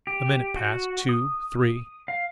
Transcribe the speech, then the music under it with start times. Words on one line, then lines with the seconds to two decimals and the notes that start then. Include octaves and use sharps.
A minute passed--two--three.
0.07 G4
0.56 F#4
1.09 D#6
2.08 F5